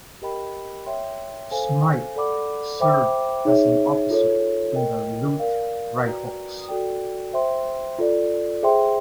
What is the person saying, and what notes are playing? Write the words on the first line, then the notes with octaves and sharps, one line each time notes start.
Smythe served as an officer in the Louth Rifles.
G4 A#4 D#5 G5 B5
C#5 E5 G5 C6
A4 C5 F5 G#5
A4 D5 F#5 B5 D6
C5 E5 G5 B5 D6
D#4 G#4 C#5 E5
F4 A4 C#5
A#4 D#5 G5
A#4 D5 F5
F#4 B4 D5 G5 A#5
F#4 A4 D5 G5
C5 E5 G5 C6
F4 A4 D5
G#4 C5 E5 G5 C6